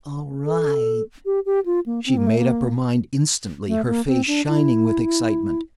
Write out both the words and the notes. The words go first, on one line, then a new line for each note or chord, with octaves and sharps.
"All right." She made up her mind instantly, her face shining with excitement.
A4
G4
G4
F4
A#3
C4
A#3
A3
A#3
A3
A#3
C4
D4
E4